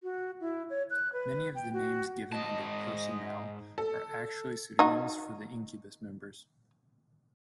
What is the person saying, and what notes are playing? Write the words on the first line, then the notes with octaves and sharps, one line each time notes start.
Many of the names given under 'Personnel' are actually pseudonyms for the Incubus members.
F#4
E4
C#5
F#6
B4
G5
F#4
G#2 D#5 A5
A4
D#4 F#4